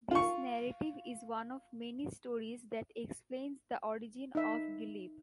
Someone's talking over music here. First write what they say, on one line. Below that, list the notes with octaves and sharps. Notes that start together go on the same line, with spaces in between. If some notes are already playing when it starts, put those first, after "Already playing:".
This narrative is one of many stories that explains the origin of Gelebe.
F4 C#6
D#4 E5